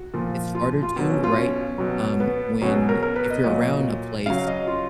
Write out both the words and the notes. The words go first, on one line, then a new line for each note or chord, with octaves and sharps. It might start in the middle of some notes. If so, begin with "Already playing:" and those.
it's harder to, right? Um, when if you're around a place,
Already playing: F#4
A#2 F3
F4
F4
B2 F#3
C#4
F4
C#4
B2 F#3
B3
B2 F#3 C#4
G#4
A#4
A#4
B4
D#5
A#2 F#3
C#3 F#3 F5
D#5
F4